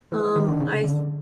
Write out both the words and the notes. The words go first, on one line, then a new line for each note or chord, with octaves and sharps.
Um, I
E3
D#3
D3
C#3
D3